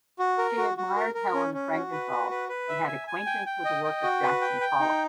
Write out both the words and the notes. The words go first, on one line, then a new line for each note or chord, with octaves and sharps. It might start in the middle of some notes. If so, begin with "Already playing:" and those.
She admired Helen Frankenthal and had acquaintance with the work of Jackson Pollock.
F#4
A#4
F#4
F#4
A#4
A#4
C#4
C#4
F#4
B4
F#4
B4
B4
E5
G#5
G#5
G5
G5
D#5
G5
F#4
B4
G5
G5
D#4